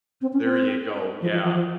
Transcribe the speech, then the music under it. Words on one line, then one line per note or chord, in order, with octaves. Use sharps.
There you go, yeah,
C4
C#4
C4
F3
F3
F3
F3